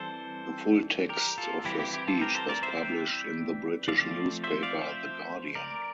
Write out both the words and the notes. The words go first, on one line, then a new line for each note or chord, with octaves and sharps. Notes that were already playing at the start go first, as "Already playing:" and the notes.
The full text of her speech was published in the British newspaper "The Guardian".
Already playing: E3 G3 C4 A4 C5
G4 A#4
F4 A4
E3 G3 C4 E4 G4
E4 G4
E4 G4
F4 A4
G4 A#4
A4 C5
A#4 D5
C5 E5
E5 G5
F3 A3 C4 D5 F5
C5 E5
D5 F5
C5 E5
A#4 D5